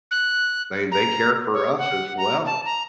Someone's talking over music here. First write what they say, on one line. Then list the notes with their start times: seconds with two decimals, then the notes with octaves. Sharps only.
They they care for us as well.
0.11 F#6
0.92 A#5
1.54 C#5
1.78 F#5
2.18 A#5
2.46 A5
2.65 A#5